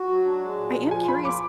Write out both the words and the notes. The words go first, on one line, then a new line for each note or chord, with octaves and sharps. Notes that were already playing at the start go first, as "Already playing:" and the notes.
I am curious
Already playing: F#4
F#3
D4
G#3
A#2
F3
F4 G#5
F3 B5
A#3 D6